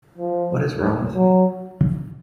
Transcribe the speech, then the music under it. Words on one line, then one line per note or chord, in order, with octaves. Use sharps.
What is wrong with me?
F3
F#3